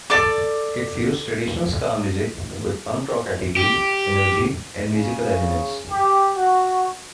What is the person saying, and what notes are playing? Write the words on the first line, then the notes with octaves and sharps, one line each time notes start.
It fused traditional ska music with punk rock attitude, energy and musical elements.
A4 D5 D6
G4
C#3
G4
F#4